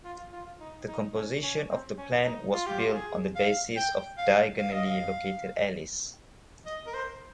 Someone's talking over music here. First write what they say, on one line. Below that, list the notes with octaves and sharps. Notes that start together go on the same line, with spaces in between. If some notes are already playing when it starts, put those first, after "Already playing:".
The composition of the plan was built on the basis of diagonally located alleys.
F4
F4
D#4
D#4
C#4
C#4
C4
C#4
D#4
F4
G4
F4
G#4
F5
G5
F5
F5
D#5
F5
D#5
A#4
C5